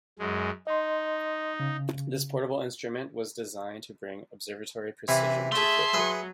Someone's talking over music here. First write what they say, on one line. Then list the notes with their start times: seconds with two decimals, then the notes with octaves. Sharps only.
This portable instrument was designed to bring observatory precision to fieldwork.
0.19 F#2 G#3
0.67 D#4 D#5 C6
1.60 C#3
5.08 C3 E3 E4
5.52 A3 G#4 E5 A5 C6
5.93 F#3 G#4 B4 E5